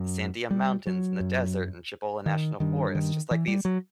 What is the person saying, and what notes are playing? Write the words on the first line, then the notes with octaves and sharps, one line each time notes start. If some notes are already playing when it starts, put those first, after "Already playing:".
the Sandia Mountains and the desert and Cibola National Forest, just, like, these
Already playing: F#2
G3
F#3
F#2
D#3
G2 D#3
D#3
E3
G3
F#3